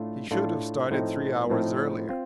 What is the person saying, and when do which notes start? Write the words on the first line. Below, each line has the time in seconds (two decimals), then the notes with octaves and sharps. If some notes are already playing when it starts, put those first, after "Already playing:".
He should have started three hours earlier.
Already playing: A2 A3 D4 F4
0.31 A2 A3 D4 F4
0.91 A2 F3 A3 C4 D#4
1.50 A2 F3 A3 C4 D#4
2.09 C4 F4